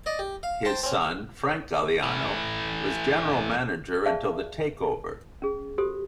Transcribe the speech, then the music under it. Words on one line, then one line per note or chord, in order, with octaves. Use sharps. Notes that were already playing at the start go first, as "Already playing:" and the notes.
His son, Frank Galliano was General Manager until the takeover.
D5 D#5
G4
F5
C5 G5 A5
C4 C#4
E3 A3
G#4 D5 E5 F5 A5
C#4 G#4
F#4 G4 A4 C5 D#6